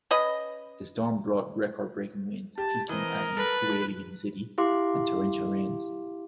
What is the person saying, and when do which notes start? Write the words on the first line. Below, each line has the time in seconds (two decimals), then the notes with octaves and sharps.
The storm brought record-breaking winds, peaking at in Hualien City, and torrential rains.
0.11 C#4 B4 D#5
2.58 G4 A5
2.89 E3 C4 A#4 D#5
3.37 A4 B4
4.58 E4 G4 F5 C6 D6